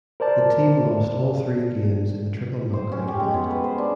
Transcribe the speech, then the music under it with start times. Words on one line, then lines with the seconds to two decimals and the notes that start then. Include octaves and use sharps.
The team lost all three games in the triple knockout event.
0.20 A#4 C5 D5 A5
2.73 C5
2.92 C#4
3.08 G4
3.20 G#3
3.34 B2
3.51 B4
3.64 C5
3.78 D4